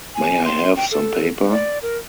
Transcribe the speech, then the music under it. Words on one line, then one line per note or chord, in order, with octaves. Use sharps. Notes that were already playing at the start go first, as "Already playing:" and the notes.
May I have some paper?
G#5
C6
G5
A4
D5
A#4